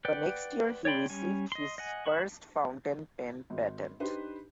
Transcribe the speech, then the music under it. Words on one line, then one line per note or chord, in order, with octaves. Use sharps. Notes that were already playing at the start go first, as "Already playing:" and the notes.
The next year he received his first fountain pen patent.
B4 D5 F#5 G5
C#5 D5 G5 B5 C6
G3 C#4 G#5
D#5 C6
D#5 F#5 G#5
E5 F#5 B5 C#6
G#1
D4 D#4 G4 B4 C5